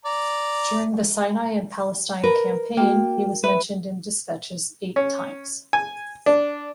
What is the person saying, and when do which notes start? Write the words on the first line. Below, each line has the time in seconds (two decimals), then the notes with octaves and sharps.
During the Sinai and Palestine Campaign he was mentioned in despatches eight times.
0.05 D5 A#5
2.24 A#4 B4
2.77 A#3 F#4 G5
3.44 B4 E5
4.96 C#4
5.73 G#5
6.26 D4